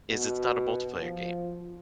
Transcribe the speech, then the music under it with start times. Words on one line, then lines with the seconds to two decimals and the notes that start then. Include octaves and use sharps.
is it's not a multiplayer game,
0.10 B2
1.01 F3